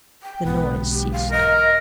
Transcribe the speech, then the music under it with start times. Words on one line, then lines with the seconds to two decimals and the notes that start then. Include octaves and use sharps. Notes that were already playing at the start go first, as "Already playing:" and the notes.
The noise ceased.
0.23 G5
0.44 B1 G#2 B3
0.93 G4
1.12 F5
1.31 A#4 D#5